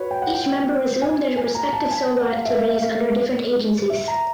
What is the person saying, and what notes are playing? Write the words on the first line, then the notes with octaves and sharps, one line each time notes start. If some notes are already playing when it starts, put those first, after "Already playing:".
Each member resumed their respective solo activities under different agencies.
Already playing: F#4 B4 C#5
G5
F#5
G5
G#5
G#5
A#5
A5
G#5
F#5
F5
E5
F5
E5
F5
E5
A#5